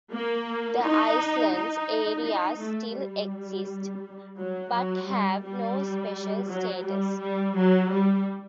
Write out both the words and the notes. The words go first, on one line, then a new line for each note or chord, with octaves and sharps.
The islands areas still exist, but have no special status.
A#3
D#4
D#4
D#4
A3
G3
F#3
F#3
G3
G3
F#3
G3
G3
F#3
G3